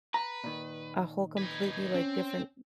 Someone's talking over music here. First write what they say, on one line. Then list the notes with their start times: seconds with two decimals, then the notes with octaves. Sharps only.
a whole completely, like, different
0.14 B4 A#5
0.44 A#2 D#3
1.38 D#4 B4 G#6
1.94 C4 C#4